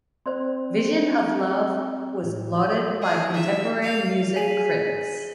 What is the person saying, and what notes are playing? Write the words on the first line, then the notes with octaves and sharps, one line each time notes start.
"Vision of Love" was lauded by contemporary music critics.
C4 C5 D5 C6
A2
G#4
E5
F5
G#4 G#5 B6 D#7 F#7